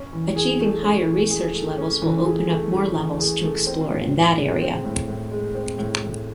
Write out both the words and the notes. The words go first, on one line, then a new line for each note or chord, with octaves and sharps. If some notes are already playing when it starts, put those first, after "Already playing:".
Achieving higher research levels will open up more levels to explore in that area.
Already playing: C#4
E3
G#4
A3
C#4
E3
G#4
A3
C#4
E3
G#4
A3
C#4
E3
G#4
A3
C4
A2
A2
G#3
C4
A2
A2
G#3
C4
A2
A2